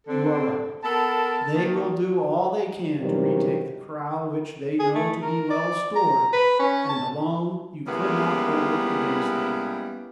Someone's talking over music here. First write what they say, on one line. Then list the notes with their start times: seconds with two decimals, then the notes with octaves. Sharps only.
"You are right; they will do all they can to retake the corral, which they know to be well stored; and alone you could not hold it against them."
0.07 D3 C4 A4
0.83 B3 A4 A#4 A5
1.53 D#3 A#3
2.98 G2 C3 D#3 E3 F#3 G3
4.79 G#4
4.95 A3
5.22 A#4
5.50 D5
5.96 A#5
6.33 B4
6.59 C#4
6.89 A5
7.87 G3 G#3 A#3 B3 C#4 E4